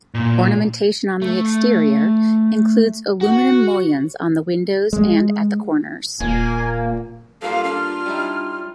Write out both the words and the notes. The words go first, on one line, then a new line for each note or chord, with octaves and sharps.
Ornamentation on the exterior includes aluminum mullions on the windows and at the corners.
A#2
A3
F#4
G#3
D#1 A#2 A#3 G#5
G2 A#3 F4 A4 F5
D4 F6
G3 D#4 E4